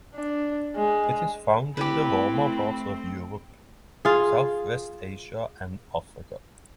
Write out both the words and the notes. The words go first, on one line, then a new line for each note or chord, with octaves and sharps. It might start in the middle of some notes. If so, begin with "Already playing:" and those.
It is found in the warmer parts of Europe, southwest Asia and Africa.
D4
G#3
A3 C4 E4 G4 B4 B5
F4 G#4